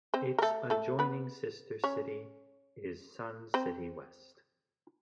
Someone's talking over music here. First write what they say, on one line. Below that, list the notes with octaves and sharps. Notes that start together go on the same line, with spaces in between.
Its adjoining sister city is Sun City West.
C4 C5
A#4
A3 A4
A3 A4
B3 B4
C#4 C#5
C4 C5